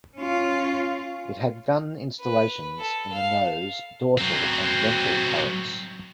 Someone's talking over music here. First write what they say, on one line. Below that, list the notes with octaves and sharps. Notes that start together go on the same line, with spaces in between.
It had gun installations in the nose, dorsal and ventral turrets.
C#4 F4
B4
A4
F5
F#3 C4